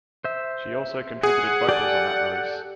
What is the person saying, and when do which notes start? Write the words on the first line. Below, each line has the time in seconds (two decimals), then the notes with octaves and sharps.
She also contributed vocals on that release.
0.24 C5 E5
1.23 G#4 F#5
1.69 G4 A4 D5 G#5